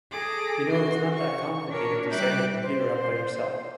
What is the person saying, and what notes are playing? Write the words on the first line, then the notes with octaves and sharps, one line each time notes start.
You know, it’s not that complicated to set your computer up by yourself.
G#4 A4 D6 A#6
F#4 C6
C#6
D4 A#4 C#5
G3 E5 G5 D6 F#6
C5